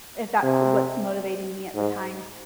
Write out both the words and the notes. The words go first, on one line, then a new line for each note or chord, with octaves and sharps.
if that's what's motivating me at the time.
C3
G#2